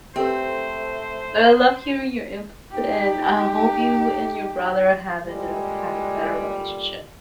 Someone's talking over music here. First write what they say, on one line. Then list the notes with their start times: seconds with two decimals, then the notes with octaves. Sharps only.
But I love hearing your input, and I hope you and your brother have ended up having a better relationship.
0.16 A3 C4 G4 A4 B4 C5
2.71 D#4 G4
5.24 A#2 D3 G3 G#3